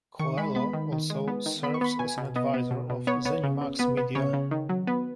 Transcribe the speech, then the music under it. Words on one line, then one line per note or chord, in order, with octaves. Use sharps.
Coelho also serves as an advisor of ZeniMax Media.
D#3 C#6
G#3 B5
B3 B5
D#3
D#3
G#3
B3
D#3
B3 B5
C#6
B3 B5
B2 G#5
B2
B3 D#5
B3
B2
B2
B3 C#5
B3 C#5
C#3
C#3
B3 B4
B3
C#3 C#5
C#3
D#3
F#3
B3 B4